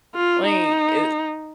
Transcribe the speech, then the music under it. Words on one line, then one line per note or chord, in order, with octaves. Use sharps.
Wait, is
F4
D#4